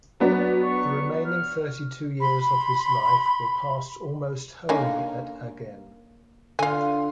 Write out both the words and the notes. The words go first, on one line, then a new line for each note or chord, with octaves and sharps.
The remaining thirty-two years of his life were passed almost wholly at Agen.
F#3 B3 D4 F#4
C#6
F6
B5 C6
D3 A#3 C#4 D#4
D3 F4 F5 G#5